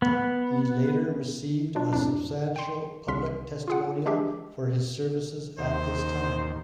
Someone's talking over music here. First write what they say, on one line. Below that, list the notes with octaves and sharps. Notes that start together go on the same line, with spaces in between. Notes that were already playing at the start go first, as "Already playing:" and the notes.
He later received a substantial public testimonial for his services at this time.
B3
B2 F#3 D4 F4
F2 A2 D4
G5 C6
C2 C3 C6 F6 B6
F4 G#4 F#5
G#3 D4 G4 G#4 E5
D#2 C5